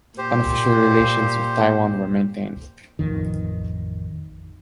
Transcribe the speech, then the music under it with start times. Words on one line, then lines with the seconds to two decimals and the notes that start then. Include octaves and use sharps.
Unofficial relations with Taiwan were maintained.
0.18 A#2 G4 C5
2.99 A1 F2 D#3